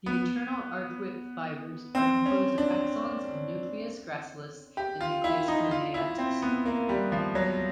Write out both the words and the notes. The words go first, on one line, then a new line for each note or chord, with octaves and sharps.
The internal arcuate fibers are composed of axons of nucleus gracilis and nucleus cuneatus.
B3
C4
C#4
D4
G4
F4
E4
D#4
F4
E4
C4
B3
A#3
G3
F3
F#3